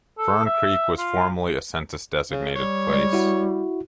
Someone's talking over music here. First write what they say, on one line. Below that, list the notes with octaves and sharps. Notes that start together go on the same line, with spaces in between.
Fern Creek was formerly a census-designated place.
A4
E5
F4
C#3
G3 C#5
G#3 D5
E4 F#4